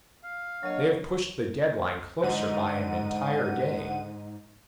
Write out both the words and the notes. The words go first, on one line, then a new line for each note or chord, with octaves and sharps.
They have pushed the deadline closer by an entire day.
F5
F#3 A#3 D4 C#5 D#5
G#2 D3 F#5 D#7